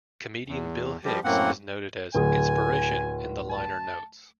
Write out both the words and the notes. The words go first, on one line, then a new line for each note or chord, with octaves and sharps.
Comedian Bill Hicks is noted as "inspiration" in the liner notes.
E2
F3 G3 G4
F#2 A2 A#3 C4 F#5
D1 G#4 G#5
A5